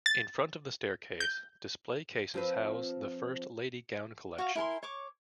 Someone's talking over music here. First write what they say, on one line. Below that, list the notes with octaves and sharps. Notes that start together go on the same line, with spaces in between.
In front of the staircase, display cases house the First Lady Gown Collection.
A6
G6
F3 C4 B4
F#4 F5
E4 A#4 G#5 C6
C#5 C#6 D6